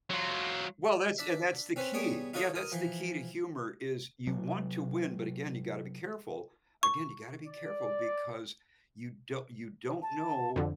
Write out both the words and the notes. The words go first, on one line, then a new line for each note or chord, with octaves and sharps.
Well, that's and that's the key, yeah, that's the key to humor is you want to win, but, again, you gotta be careful again, you gotta be careful because you do you don't know
F#3 F4
D4 D5 E5
C4 C#4 B4 C5
G3 B3 G#4 C#5
D#4 F4 F#4 A4 C#5 D#5
A#4 D#6
E3 F3
C3 F#3
C#6
D5
A5
F2 D3